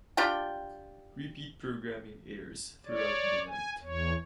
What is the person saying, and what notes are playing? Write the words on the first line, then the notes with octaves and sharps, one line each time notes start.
Repeat programming airs throughout the night.
D4 F4 G4 G5
C#5 D5
G#5
E2 C#5